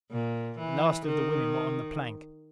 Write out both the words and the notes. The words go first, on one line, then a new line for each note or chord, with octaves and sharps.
The last of the women were on the plank.
A#2
E3
D#3